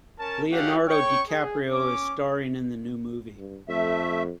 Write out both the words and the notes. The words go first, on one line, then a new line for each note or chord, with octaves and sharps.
Leonardo DiCaprio is staring in the new movie.
C#4 A#4 A5
A3 C#4 F#4 G4 F5 F#5
C#5 G5 C#6
G#4
C#4 D6
G2
F2 A3 E5